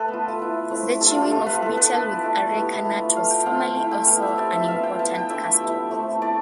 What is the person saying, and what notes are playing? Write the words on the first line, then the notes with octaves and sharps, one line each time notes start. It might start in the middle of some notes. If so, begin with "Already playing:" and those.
The chewing of betel with areca nut was formerly also an important custom.
Already playing: A3 A4 B4
B3
F4
B3 E4
A3 C4 E4
G3 D4 F4 A4
F4
G4
A3 D4 F4 A4
B4
B3 E4 A4
B4
B3 D4 F4 D5
A3 E4
G3 B3 E4
A3 D4 F4
B3 F4 F5
G5
A3 C4 F4 F5
G5
A3 E4 A5
G5
B3 E4 F5
E5
G3 C4 F4 D5
E5
B3 D4 F4 F5
G5
B3 E4 A5
G5
A3 D4 F4 E5
G3 B3 E4
A3 C4 E4
A3 E4 D5